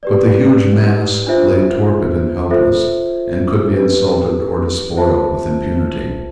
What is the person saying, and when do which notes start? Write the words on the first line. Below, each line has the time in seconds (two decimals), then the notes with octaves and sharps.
But the huge mass lay torpid and helpless, and could be insulted or despoiled with impunity.
0.03 G4 B4 D5
1.27 D4 F4 C5 E5
2.50 F4 A4 C5 E5
3.74 D4 G4 B4
4.97 F4 C5 E5 A5